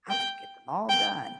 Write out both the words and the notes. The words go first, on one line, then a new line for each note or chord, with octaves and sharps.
I have to get them all done."
G5
G5